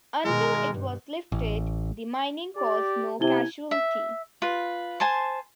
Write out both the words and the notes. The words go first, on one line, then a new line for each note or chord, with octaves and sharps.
Until it was lifted, the mining caused no casualty.
B2 D#3 G#3 A#4
G2
A1
G4 D5
C3 E4 G#5 G7
E5
F4 B4
C5 G#5 A5 C6